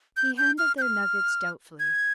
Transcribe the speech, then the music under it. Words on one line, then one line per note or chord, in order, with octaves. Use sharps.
He handled their nuggets doubtfully.
G6
G6
F6
G6
F6
G#6